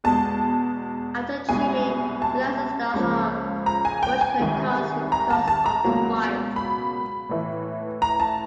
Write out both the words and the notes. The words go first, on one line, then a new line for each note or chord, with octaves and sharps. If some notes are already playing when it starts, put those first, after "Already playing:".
After Jimmy realises the harm Bush has caused, he calls off the fight.
E2 B2 G#3 A5
C2 B2 G#3 G#5
A5
C#2 C#3 F3 A#3
A#5
G#5
G5
G#5
C2 C3 D#3 G#3
A#5
A5
A5
A#5
C#2 B2 F#3 A#3
B5
A2 E3 A3
A#5
A5